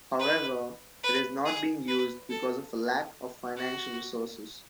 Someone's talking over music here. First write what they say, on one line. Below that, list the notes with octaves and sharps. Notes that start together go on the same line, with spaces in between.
However, it is not being used because of a lack of financial resources.
B4
B4
G#4
B4
A4
F#4